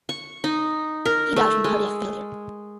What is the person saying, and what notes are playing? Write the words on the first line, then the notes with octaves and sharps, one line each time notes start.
He died from a cardiac failure.
C#6
D#4
A#4
A3
G#3